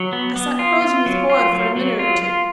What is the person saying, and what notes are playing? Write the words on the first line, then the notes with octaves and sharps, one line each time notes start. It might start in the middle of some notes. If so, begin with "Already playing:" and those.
I sat frozen with horror for a minute or two.
Already playing: F#3
B3
B3
F4
F4
F#3
F4
F#3
F#3
F4
F4